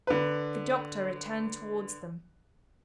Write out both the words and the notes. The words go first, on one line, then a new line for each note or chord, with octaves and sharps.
The doctor returned towards them.
D3 B4